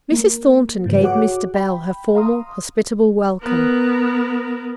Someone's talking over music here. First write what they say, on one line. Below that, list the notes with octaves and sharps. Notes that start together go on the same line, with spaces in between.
Mrs. Thornton gave Mr. Bell her formal, hospitable welcome.
A#3
G#2 C#3 F3 B4
F#4 G#4 C#5 F#5 D6
G5 B5
F5 A#5 C6 D#6
B3 A#4